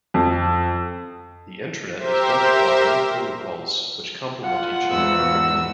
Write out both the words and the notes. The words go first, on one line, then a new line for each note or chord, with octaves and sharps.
The internet is built upon many protocols which complement each other perfectly.
F2
G4 A#4 C5 E5
F4 F#5
E2 G#2 E6